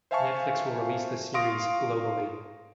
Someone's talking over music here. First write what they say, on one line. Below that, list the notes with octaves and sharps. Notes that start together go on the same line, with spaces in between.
Netflix will release the series globally.
C5 E5 F5 G#5 A5 C#6
F5 C6 C#6 D#6 A#6 D7